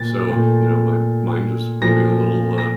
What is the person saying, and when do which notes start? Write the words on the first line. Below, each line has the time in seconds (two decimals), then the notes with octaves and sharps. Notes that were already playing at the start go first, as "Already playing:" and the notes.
so, you know, my mind was maybe a little, uh,
Already playing: A#2 A#3 A6
0.30 A#2 A3
1.82 A#2 F3 A3 A#6
2.58 A#6